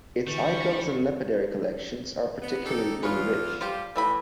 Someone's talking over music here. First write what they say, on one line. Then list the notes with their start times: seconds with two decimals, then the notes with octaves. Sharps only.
Its icons and lapidary collections are particularly rich.
0.27 D3 E3 G3 C#6
2.42 B3
2.66 D#4 G4 A4
3.03 E2 F4 G#4 B4 C#5
3.61 F3 G3 F4 G4
3.96 A2 E3 E4 B5